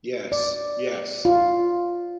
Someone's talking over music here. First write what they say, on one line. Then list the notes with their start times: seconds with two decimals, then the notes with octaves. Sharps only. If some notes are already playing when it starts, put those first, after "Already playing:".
Yes, yes,
0.32 D5
1.25 F4